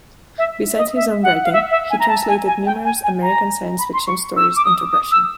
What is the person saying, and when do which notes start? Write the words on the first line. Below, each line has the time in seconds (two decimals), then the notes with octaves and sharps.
Besides his own writing, he translated numerous American science fiction stories into Russian.
0.38 E5
0.77 D#5
0.96 E5
1.23 F#5
1.44 F5
1.53 E5
1.71 E5
1.90 G#5
2.00 A#5
2.09 A5
2.28 G#5
2.47 G#5
2.66 G5
2.85 G#5
3.04 G#5
3.22 A#5
3.79 B5
3.93 C6
4.07 C#6
4.37 E6
4.56 D6
4.65 D#6
4.93 D#6
5.12 E6